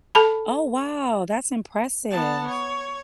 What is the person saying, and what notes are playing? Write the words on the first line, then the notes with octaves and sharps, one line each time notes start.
Oh, wow, that's impressive.
A4 A5 B5
B3 A5
C#5